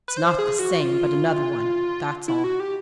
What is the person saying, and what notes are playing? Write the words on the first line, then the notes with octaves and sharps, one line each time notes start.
"It's not the same but another one; that's all."
B4
C5
G#4
F#4
F4
E4
F#4
G4